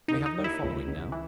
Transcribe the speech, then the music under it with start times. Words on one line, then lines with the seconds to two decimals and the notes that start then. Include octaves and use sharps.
We have no following--now.
0.08 D#2 D#4
0.26 D#4
0.39 D#2
0.44 E4
0.63 C#2
0.88 C#2
1.12 E3